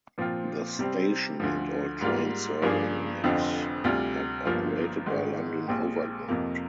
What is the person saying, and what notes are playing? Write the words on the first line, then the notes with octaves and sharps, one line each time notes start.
The station and all trains serving it are operated by London Overground.
A#2 F3 C4 F4
C3 G3 C4
D2 D3 F3
G#2 G3 A#3 F4
G2 F3 A#3 D4 G#4
F1 F2 D3 F3 C4
D2 C3 G3 D4 F4
G1 G2 F3 A#3 F4
G#1 G#2 D#3 G#3
A#1 A#2 G#3 C4 G4
F2 C3 F3 A#3